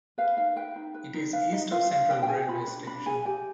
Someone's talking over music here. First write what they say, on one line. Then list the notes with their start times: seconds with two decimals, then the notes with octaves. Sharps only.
It is east of Central railway station.
0.18 B4 F5
0.37 D#4 F5
0.56 B4 G5
0.76 D#4
0.94 B4
1.14 D#4
1.33 B4 F5
1.53 D#4 D#5
1.71 F4 F5
1.91 D4 F5
2.10 D4 G5
2.23 G5
2.28 G#4 G#5
2.48 F4 B5
2.67 D4
2.87 D4 B5
3.06 G#4 G#5
3.25 G4 G#5